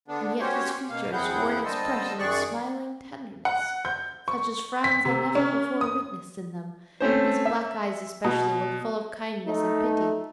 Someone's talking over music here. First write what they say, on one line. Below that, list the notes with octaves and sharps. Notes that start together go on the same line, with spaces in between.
And yet his features wore an expression of smiling tenderness, such as Franz had never before witnessed in them; his black eyes especially were full of kindness and pity.
D3 B3 D4
C#4 F#4 G4 C5 C#5
B2 A#3 F5
E2 C4 E4 G#4 F#5 G6
D3 G3 C5 D#5 A5 E6
F#2 D#3 G#4 D5 C#6 F#6
F#5
G6
C#6
B6
C3
C#4
D#6
A3 C4 C#4 C5
E5
B2
A3 D#4